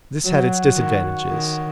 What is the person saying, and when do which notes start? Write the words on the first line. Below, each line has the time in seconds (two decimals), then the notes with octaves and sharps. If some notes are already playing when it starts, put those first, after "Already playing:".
This had its disadvantages.
0.25 F#3 F#4 C#5 F#5
0.76 D#3
1.27 D#3